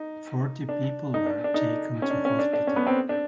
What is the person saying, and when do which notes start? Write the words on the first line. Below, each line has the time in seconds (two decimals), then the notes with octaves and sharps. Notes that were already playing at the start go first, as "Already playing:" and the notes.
Forty people were taken to hospital.
Already playing: D#4
0.69 D4
1.14 D#4
1.26 D4
1.44 D4
1.54 D#4
2.02 C#4
2.10 D4
2.25 C#4
2.39 D4
2.53 D4
2.67 C#4
2.76 B3
2.87 C4
3.09 D4